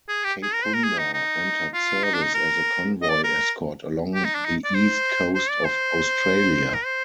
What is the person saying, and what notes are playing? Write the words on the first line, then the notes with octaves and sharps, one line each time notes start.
"Kapunda" entered service as a convoy escort along the east coast of Australia.
G#4
G4
G#4
A#4
C5
A#4
G#4
D#4
D#4
F4
D#4
D4
D#4
A#4
D#5
D5
A#4
G4
D#4
D4
D#4
D5
C5
C5
D5
C5
A#4
C5